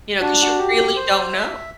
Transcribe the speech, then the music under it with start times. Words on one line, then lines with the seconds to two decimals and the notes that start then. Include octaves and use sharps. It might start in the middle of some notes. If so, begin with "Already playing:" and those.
You know, 'cause you really don't know.
0.20 D4 F#4
0.42 F#4
0.58 G4
0.96 C5
1.33 E5